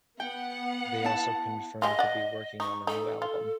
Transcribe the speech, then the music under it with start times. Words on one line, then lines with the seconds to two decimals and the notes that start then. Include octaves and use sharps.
They also confirmed to be working on a new album.
0.20 B3 F#5 G5
1.04 E4 A5
1.82 G3 G#3 F4 D#5
1.99 D5 F#5
2.60 D#4 C#6
2.87 D#4 A4
3.22 F4